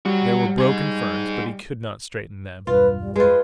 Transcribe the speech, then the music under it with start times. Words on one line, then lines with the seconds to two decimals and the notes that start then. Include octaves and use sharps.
There were broken ferns, but he could not straighten them.
0.06 F#3 G3 F#4
0.58 D#4 G#4
2.67 B1 E2 G2 F4 B4
2.99 G3
3.16 F2 G#3 F4 B4